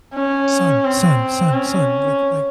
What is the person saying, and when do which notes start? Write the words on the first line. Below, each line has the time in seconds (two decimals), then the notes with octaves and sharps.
Son, son, son, son, like like,
0.15 C#4
0.85 C4
1.54 C#4